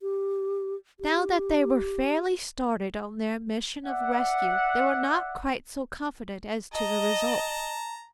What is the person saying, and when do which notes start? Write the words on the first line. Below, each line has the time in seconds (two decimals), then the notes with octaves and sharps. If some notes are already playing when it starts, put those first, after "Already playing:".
Now that they were fairly started on their mission of rescue, they were not quite so confident as to the result.
0.01 G4
1.00 G4
3.86 D5 E5 F#5
6.74 D#5 A5 A#5